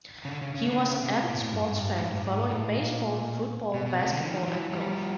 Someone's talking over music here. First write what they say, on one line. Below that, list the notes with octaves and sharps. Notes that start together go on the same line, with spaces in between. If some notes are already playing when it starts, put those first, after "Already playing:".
He was an avid sports fan, following baseball, football, basketball and golf.
C#3
D3
C#3
C#3
D3
C#3
C3
A#2
A2
G2
G#2
G2
A2
G#2
G2
G#2
A2
A#2
B2
B2
C3
D3
D#3 F3
F3
E3 F#3
F3 G3